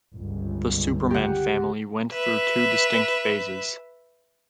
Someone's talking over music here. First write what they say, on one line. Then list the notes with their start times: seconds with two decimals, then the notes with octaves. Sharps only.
"The Superman Family" went through two distinct phases.
0.17 G1 C#2
1.11 G4 F#5
2.12 B4 E5